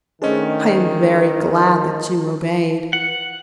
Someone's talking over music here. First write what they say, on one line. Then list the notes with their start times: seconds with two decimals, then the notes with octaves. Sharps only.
I am very glad that you obeyed.
0.22 D#3 A3 C#4 D4 G#4 C5 D#5
2.93 F#5